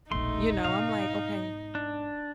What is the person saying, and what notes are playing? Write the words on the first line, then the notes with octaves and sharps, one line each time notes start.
You know, I'm like, "Okay."
E1 A#1 A3 D#4 C6
G#2 B2 F5
D4